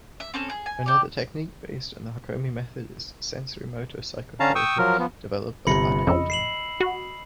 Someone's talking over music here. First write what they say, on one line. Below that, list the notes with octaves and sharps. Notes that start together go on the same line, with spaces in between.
Another technique based on the Hakomi Method is Sensorimotor Psychotherapy, developed by Pat Ogden.
E5
C4 C#4 A4
G#4
G#5
G4 D5
D3 C#4 F5 A5 A#5
G5 C#6 D#6 E6
F3 F#3 A#4
F3 B3
G1 C3 B5 A#6 C#7
F2 C#3 D#5 E6
C7 E7 F#7
F#4